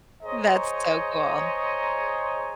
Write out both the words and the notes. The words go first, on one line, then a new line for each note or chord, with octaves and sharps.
That's so cool.
G#4 C5 C#5 D#5 A#5